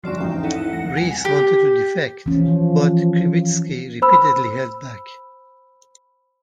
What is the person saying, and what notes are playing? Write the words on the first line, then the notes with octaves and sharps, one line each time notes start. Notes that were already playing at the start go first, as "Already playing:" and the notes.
Reiss wanted to defect, but Krivitsky repeatedly held back.
G1 F3 D4 F#4 D5 C7 E7
A1 E2 G#2 D#4 G5
D#4 E4 A4 F#5
E2 A#6
C2 G#5 F7
G4
E3 F3 C#4
C5 B5 E6